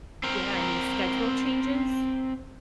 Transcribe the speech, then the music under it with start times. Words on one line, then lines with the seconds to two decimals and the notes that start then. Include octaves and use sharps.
Yeah, I mean, schedule changes,
0.23 C4 A#4